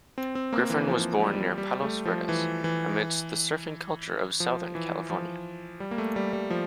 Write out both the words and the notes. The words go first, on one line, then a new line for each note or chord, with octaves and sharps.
Griffin was born near Palos Verdes amidst the surfing culture of southern California.
C4
C4
A#3
E3
F3
G3
G3
A3
F3
E3
E3
F3
E3
F3
G3
A#3
A3
G3
G3
F3